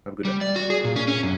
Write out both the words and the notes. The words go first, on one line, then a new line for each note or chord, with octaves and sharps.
Have a good day.
G3
D5
F#4
G#4
A#2
C#4
C#4
F#2